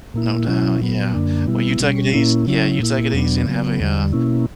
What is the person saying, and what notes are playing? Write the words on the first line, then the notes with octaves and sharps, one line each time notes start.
No doubt, yeah. Well, you take it eas Yeah, you take it easy and have a, uh,
A#2 A#3 E4
B2 F#3 C#4 E4
A#2 F#3 B3
F#2 D3 A#3 D4
B2 G3 B3 E4
B2 G3 C#4
A#2 A#3 C#4 E4
C#3 F#3 C#4 E4
A#2 A#3 E4
E2 B2 F#3 B3 D4
C#3 F#3 B3
E2 D3 G3
B2 A#3 C#4 E4